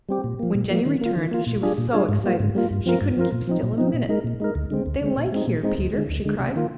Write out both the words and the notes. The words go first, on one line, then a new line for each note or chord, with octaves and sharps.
When Jenny returned she was so excited she couldn't keep still a minute. "They like here, Peter!" she cried.
G3 C4 G4
A#2
F3 A#3
A#2
F3 A#3
D#3
A#3 F4
D#3
A#3 F4
A#2
G3 D4 F4 G#4
A#2
G3 D4 F4 G#4
G#2
G3 A#3 F4
G#2
G3 A#3 F4
G2
F3 C4 F4 A#4
G2
F3 C4 F4 A#4
A#2
F3 C4 D#4
A#2
F3 C4 D#4
A#2
G#3 D#4 A#4
A#2
G#3 D#4 A#4
D2
D3 G#3 C4
D2
D3 G#3 C4
A#2
G#3 C4 D#4
A#2
G#3 C4 D#4
D2
D3 G#3
D2
D3 G#3
C3
D#3 A#3 F4